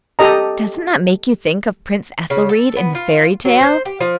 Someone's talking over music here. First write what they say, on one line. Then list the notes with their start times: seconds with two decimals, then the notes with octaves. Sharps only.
Doesn't that make you think of Prince Ethelried in the fairy tale?
0.19 G4 A4 D#5 A#5
2.30 C#3
2.49 A4
2.76 B3
2.95 F4
3.45 F#3
3.61 C5
3.85 G4
4.00 F3